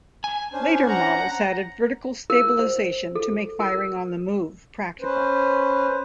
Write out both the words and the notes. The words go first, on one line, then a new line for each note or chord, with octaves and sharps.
Later models added vertical stabilization to make firing on the move practical.
G#5
C#4 D4 C5
F#5 A#5
A#4
C5
A4
A#4
C#4 B4 C5